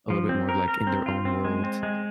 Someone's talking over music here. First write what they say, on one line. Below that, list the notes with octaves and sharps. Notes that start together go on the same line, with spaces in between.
a little bit more of, like, in their own world,
F3
C4
A#4
A#4
C4
F4
C4
G#3
C4
G#3